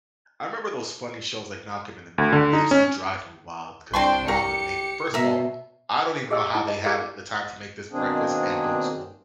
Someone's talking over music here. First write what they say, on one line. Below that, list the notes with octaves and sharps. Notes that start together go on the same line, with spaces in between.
I remember those funny shows like Malcolm in the Middle, it used to drive me wild because the mom would make first of all, I don't even know how they had the time to make this breakfast and go to school
D2
D3
D#4
C#4
C2 C4 D4 G5 A5 C6 C#6
G4 A#4 C#7
B2 A#4 E5
G4 G#4 D#5 G5 G#5 E6
D#4 E4 A5 A#5
D#5
G4 G#4 A#4 D5 F5 F#5
B2 D#3 A#3 C4 D4 G#4